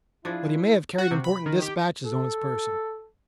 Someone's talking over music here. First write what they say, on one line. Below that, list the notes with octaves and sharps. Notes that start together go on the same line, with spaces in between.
But he may have carried important dispatches on his person.
F3 D4 E4 G#4
F#4
C3
B5
D#3
G4
A4